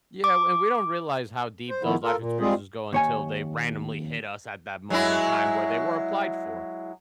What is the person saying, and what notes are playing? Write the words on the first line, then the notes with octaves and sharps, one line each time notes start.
Yeah, and w we don't realize how deep those life experiences go until they randomly hit us at that moment in time where they were applied for.
D6
C5
D#3 F3 B3 E4
F4 A4 A#4
A#2
G3 G#3 C4 F4 G#4
D#2 C#5 G#5
F#3 G#3 E4